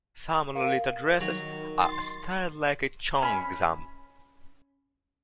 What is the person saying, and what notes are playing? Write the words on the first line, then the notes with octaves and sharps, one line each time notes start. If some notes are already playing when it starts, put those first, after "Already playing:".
Some Lolita dresses are styled like a cheongsam.
A#4 F5
D#3 F#3
C6 A6
C#4 B5